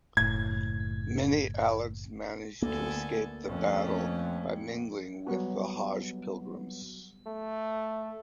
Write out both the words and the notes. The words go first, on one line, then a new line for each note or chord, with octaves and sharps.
Many Alids managed to escape the battle by mingling with the Hajj pilgrims.
F#1 A2 G#6
D2 A#3 B3 A4 G#5
F2 A3 C#4
F#3 G3 B3 F#4
A3